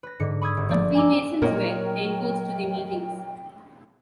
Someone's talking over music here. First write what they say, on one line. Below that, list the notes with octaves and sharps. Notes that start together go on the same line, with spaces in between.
Some Freemasons wear tailcoats to their meetings.
B4 A#6
G#2 D3 C#7
B5 C#6 D#6 E6 G#6
G1
F3 D5
G#5 A#5 D6 E6
A#2 F#3 A#4 C#5 D#5 G5